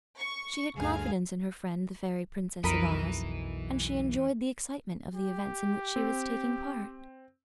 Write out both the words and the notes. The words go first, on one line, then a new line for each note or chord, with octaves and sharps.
She had confidence in her friend, the fairy Princess of Oz, and she enjoyed the excitement of the events in which she was taking part.
C#6
D2 G2 G#4 F5
B1 F2 E3 A#4 D#5 B5
G4
C4